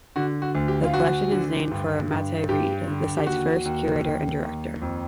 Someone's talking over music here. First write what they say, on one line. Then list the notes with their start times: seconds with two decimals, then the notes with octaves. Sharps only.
The collection is named for Mattye Reed, the site's first curator and director.
0.16 D3 F#4
0.42 F#4
0.55 D2
0.68 G4
0.85 F4
0.94 D2 F#4
1.32 D3
1.71 G2
2.10 G2
2.49 G2 G4
2.88 D3
3.17 G4
3.27 D#2 F#4
3.65 D#2
4.04 D#2
4.43 D#2
4.82 F2